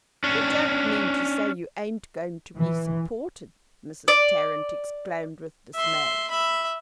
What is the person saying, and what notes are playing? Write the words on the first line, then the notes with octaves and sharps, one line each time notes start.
"You don't mean to say you ain't going to be supported?" Mrs. Tarrant exclaimed, with dismay.
C#4 D4
E3
D5
E5 C6
E5 B5